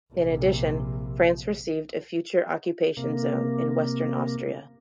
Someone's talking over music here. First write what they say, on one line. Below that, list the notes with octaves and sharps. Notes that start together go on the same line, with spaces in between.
In addition, France received a future occupation zone in western Austria.
A#1 C3
C3 A#3